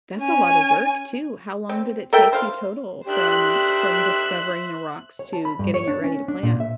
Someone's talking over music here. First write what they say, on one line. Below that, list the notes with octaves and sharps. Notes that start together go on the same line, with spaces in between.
That's a lot of work too. How long did it take you total from from discovering the rocks to getting it ready to plant?
C#4 G#5
C4
A4 A#4 E5 G5
C5 F5
D#3 A3 D4 G4 C5 E5 F#6
C#5
A5
B5
G2
C#5
D4
C#4
D4
A#2
E5